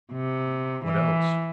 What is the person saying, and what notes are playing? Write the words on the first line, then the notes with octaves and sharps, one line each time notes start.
"What else?"
C3
E3